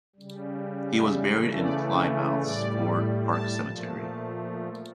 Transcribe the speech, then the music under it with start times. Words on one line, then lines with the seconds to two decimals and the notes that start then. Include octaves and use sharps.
He was buried in Plymouth's Ford Park Cemetery.
0.16 C#3 G3
1.01 E5
1.29 C#3 E3 A3 A#4
1.57 D5
2.14 C#5
2.42 A2 G3 D5
3.28 A5
3.55 A#2 F3 A3